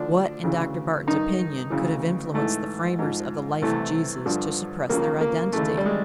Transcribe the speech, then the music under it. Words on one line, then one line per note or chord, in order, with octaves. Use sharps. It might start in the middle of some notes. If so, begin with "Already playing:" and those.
What, in Dr. Barton's opinion, could have influenced the framers of the life of Jesus to suppress their identity?
Already playing: D2 D3 F3 D4
D2 C#3 E3
G2 D#3 D#4
D2 C#3 E3
G#2 E3 A3
G#2 F3
C2 C3 E3 A3
G2 D3 F3
C#2 C#3 F3 A#3
A#3
D#2 C#3 E3 A3
G3
G#3